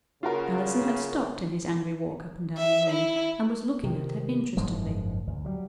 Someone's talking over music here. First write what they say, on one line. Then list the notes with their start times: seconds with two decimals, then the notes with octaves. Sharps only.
Allison had stopped in his angry walk up and down the room, and was looking at her interestedly.
0.23 C#3 F4 F#4 A#4
2.57 E5
2.90 E4
3.83 C3 D#3
4.57 F#1 G#2 F3 G#3
5.27 D2
5.45 F#3 G3